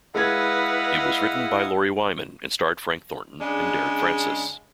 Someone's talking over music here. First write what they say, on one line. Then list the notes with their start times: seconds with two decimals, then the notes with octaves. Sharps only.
It was written by Lawrie Wyman and starred Frank Thornton and Derek Francis.
0.15 G#3 E4 B4 D#5 F5 F#5 G#6
3.40 C#3 G#3 D4